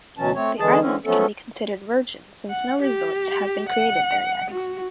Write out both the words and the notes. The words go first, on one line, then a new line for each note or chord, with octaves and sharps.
The islands can be considered virgin since no resorts have been created there yet.
D2 B2 E3 F#3 C#4 A5
A3 C4 C#5
E2 D3 E3 G#3 G#4 A5
D3 E3 C4 C#4
F3 F#3 A3 B3 C#4 A4
F#5
G4
F#5
F#4